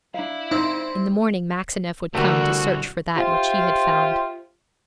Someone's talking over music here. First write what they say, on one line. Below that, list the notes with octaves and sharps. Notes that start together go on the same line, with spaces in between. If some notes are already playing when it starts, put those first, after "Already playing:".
In the morning Maxineff would come to search for that which he had found.
D4 E4 F5
C4 D#4
C2 D3 G3 A3 A#3 F#4
F4 G4 C5 E5 F5 G5